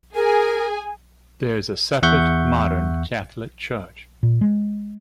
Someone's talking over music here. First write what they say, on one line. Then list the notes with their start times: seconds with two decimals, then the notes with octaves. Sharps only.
There is a separate, modern Catholic Church.
0.15 G#4 A#4 G#5
2.03 E2 E5 F#5 C#6 G6
4.23 A#2
4.41 G#3